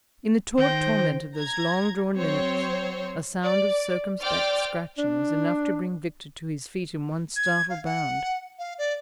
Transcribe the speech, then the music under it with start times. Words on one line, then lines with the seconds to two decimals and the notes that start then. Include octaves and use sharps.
In the taut torment of those long-drawn minutes a sound of circumspect scratching was enough to bring Victor to his feet in one startled bound.
0.57 D#3 C5 G5 A#6
1.36 A#5 G#6
2.15 F#3 C4 C5 C#5
3.44 D5
4.21 C5 D5 G5 D6 F6 A6
4.98 D4
7.36 G#6
7.70 F5
7.85 F#5
8.59 F5
8.78 D5